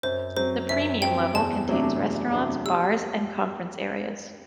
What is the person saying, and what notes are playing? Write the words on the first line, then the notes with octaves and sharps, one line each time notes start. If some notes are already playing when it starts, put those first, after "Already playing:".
The premium level contains restaurants, bars and conference areas.
F#2 C5
F#3 C4 C5
F#2 E5
F#3 C4 G5
E2 A5
C3 F#3 A3 D4
E2
C3 F#3 A3 D4
G3 E6